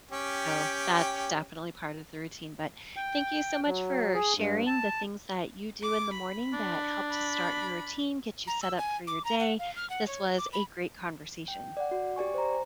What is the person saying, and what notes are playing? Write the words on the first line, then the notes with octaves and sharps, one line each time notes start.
so, that's definitely part of the routine, but thank you so much for sharing the things that you do in the morning that help to start your routine, get you set up for your day, this was a great conversation.
C#4 G4 G5
G5
F#3
G#4
G2
A5
D6
B5
D4
B5
A#5
E6
G#5
D6
A#5
F#5
F5
F6
F#5
C#5
D6
B5
G5
D5 F#5
F#4
G4 D5 G#5 C#6
C5 A#5